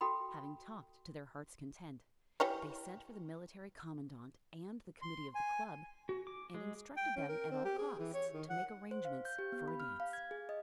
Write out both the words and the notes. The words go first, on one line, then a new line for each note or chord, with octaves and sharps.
Having talked to their hearts' content, they sent for the Military Commandant and the committee of the club, and instructed them at all costs to make arrangements for a dance.
F#4 A4 G5 B5
E3 G4 C#5
C6
G#5
F#4
D6
G#3
G5
C#4
A#4
C4
G4
G#4
E3
C#5
D#3
F#5
C5
F5
G6
G4
B3
B5
F6
F5
G#6
G#4
D#5